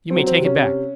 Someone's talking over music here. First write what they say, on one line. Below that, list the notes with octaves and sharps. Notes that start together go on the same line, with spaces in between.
You may take it back!'
C4
F#3
C4
C3
C#4
C3 C#4